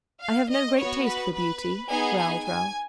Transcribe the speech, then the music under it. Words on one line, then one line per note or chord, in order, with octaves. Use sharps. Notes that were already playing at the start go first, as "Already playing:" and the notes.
'I have no great taste for beauty,' growled Ralph.
F5
D#5
B3 F#4 C#5
B4
B4
B3 D#4 G#4 G#5
G#5
G#5